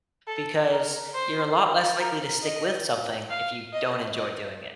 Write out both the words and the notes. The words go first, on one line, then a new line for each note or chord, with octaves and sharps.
Because you're a lot less likely to stick with something if you don't enjoy doing it.
A4
A#4
C5
A#4
D#5
F5
D#5
D#5